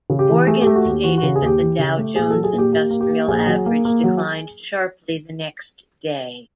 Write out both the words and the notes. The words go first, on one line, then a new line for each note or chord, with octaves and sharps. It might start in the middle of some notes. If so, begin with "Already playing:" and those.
Morgan stated that the Dow Jones Industrial Average declined sharply the next day.
C#3
G4
E3
A3 G#4
G4
A3
F#4
D#2 G4
E3 F#4
F#4
C#3
G#4
D#2 G4
E3
C#3
A3
A#2 G#4
A4
F#3
G#4
A#2
G4
A#3 G4
A#3
G4
A#3
A#1 G#4
F#3
A#3
A#3
F#3